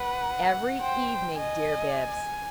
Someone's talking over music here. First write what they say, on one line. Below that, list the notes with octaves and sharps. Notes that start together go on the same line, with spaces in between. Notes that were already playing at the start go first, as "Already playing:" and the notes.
"Every evening, dear Bibbs!"
Already playing: B4 F#5
C5 G5
D#5 G#5